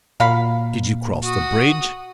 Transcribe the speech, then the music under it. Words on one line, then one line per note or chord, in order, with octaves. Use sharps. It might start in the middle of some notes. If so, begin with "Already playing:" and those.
"Did you cross the bridge?"
A#2 F#3 F5 B5
F#4 D#6